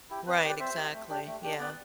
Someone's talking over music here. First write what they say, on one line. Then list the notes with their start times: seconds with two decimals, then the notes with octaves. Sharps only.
Right, exactly, yeah.
0.10 E4 G4
0.26 C4 B4
0.37 B4 D5
0.44 G4
0.49 B4 D5
0.59 C4 C5 E5
0.76 G4
0.93 A3
1.09 D4 G4
1.27 A3
1.43 D4 G4
1.59 B3 B4 D5